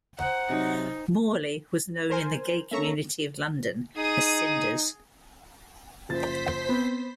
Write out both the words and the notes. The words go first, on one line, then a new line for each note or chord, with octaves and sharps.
Morley was known in the gay community of London as "Sinders".
D#4 C5 F#5
C3 F#3 D#4 G#5
A#4 C5 G#5
A#3 C#4 A4 E5 A#5 C#6
D#4 G#4 D#6
F#1 F3 C5 A6 B6
B3 C4